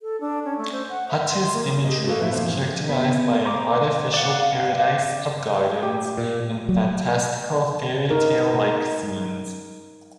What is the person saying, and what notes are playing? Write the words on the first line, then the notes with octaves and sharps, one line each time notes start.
Hutter's imagery is characterised by an artificial paradise of gardens and fantastical fairytale-like scenes.
A4
D4
C#4
A3
C5
F#5
E5
C6
A#3
G4 G#4 A#4 D#5
F#4 A4 B4 F5
A2 F3 B3 E4 E5
F2 A#2 D#3 A#3 C4 D#4
E3 F3
A#3 F5 F#5
B3
C5 A#5 D6
D5 F5 F#5
G4
A#2
F#3
D#4 A#4